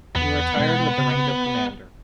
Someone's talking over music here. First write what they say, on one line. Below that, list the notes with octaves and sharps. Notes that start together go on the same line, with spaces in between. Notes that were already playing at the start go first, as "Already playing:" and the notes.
He retired with the rank of Commander.
E2 B3
B2 G#3
C#3